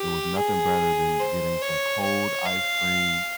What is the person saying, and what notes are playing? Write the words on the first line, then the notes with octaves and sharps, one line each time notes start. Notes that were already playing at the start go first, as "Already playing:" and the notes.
it was nothing better than getting some cold ice cream.
Already playing: G4
G#4
C5
C#5
C#5
F5